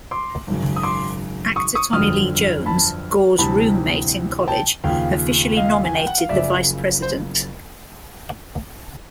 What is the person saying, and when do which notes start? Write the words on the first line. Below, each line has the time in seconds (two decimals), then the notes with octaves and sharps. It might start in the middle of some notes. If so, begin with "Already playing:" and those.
Actor Tommy Lee Jones, Gore's roommate in college, officially nominated the Vice President.
0.11 C6 D6
0.47 G#1 F#2 C#3
0.76 D#6
0.83 C6 D6
1.56 C#6 D#6
1.75 C#6 D#6
1.93 G1 F2 D3 F#3 D#6 F6
2.66 A5 B5
3.38 D2 C3 E3 G3 A5 B5
4.48 G5 A5
4.84 D#2 C#3 F3 F5 G5
5.57 D#5 F5
5.85 G#5
5.95 G5
6.07 F#5
6.18 F5
6.29 F#1 F#2 C#3 F3 D5 E5
7.02 C5